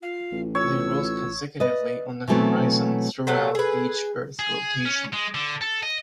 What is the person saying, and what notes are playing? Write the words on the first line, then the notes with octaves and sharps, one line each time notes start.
They rose consecutively on the horizon throughout each earth rotation.
F4 F5
A1
F4 C#5 E6
B4 D5 D#5
B2 E3 F#3 A3 B3 C4
C3 F#3 A3 A4
G#4 B4
G#4
C#4
G#3
D3
A4
D#5